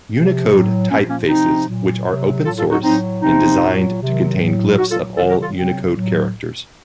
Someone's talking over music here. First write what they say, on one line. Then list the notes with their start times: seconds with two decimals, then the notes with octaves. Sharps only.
Unicode typefaces which are open-source and designed to contain glyphs of all Unicode characters.
0.12 C3 F3
0.51 A2 F#3
0.90 A#2 F3 A#3 C#4
1.09 A#3 C#4
1.28 C3 F3 C4 D#4
1.67 A#2 F#3
2.06 F#3
2.11 C3
2.44 A2 F#3 F4 A4
2.58 F4 A4
2.70 D#4 F#4
2.83 A2 F#3 C4 D#4
3.22 C3 F3 C4 D#4
3.61 A#2 F#3
4.00 C3 D#3 F#3
4.39 A2 F#3
4.77 A#2 F#3 D#4 F#4
4.91 F4 A4
5.16 C3 D#3 F#3 F4 A4
5.29 F#4 A#4
5.42 F4 A4
5.55 C3 F#3 C4
5.94 A2 F#3